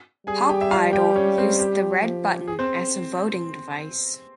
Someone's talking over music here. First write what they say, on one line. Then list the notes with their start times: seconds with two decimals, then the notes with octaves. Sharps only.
"Pop Idol" used the red button as a voting device.
0.27 G3 G#4 G#5
0.49 G4 G5
0.61 E5
0.71 F4 F5
0.93 G4 G5
1.16 C#4 C#5
1.38 C4 C5
1.59 G4
2.04 F3
2.48 G#4
2.59 C4 C5